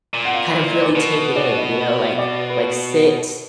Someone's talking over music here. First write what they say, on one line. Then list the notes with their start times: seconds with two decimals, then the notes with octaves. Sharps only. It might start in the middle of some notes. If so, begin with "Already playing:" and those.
kind of really take it in, you know, like like sit,
0.14 A#2
0.25 F#5
0.34 F5
0.74 D#5
0.81 D5
0.89 B4
0.95 B2 A#4
1.17 B4
1.36 D5
1.57 D#5
2.18 D5
2.50 B4